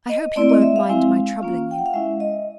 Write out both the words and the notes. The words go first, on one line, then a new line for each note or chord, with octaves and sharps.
I hope you won't mind my troubling you.
D#5
A3 C4 E4 D5
D#5
E5
F5
G#3 C4 E4
A#3 C#4 F4
G5
F#5
F5
G#3 C#4 E4 E5
D#5